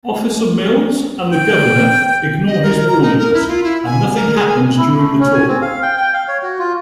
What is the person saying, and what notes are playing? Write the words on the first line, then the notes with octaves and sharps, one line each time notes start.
Officer Mills and the governor ignore his warnings, and nothing happens during the tour.
G5
D#5
A#4
A#5
D#4
A#4
E4
F4
E4
G#5
A#4
G#4
G#5
E4
A3
C#4
G#5
C4
F5
G5
G5
F5
C#5
F#4
F4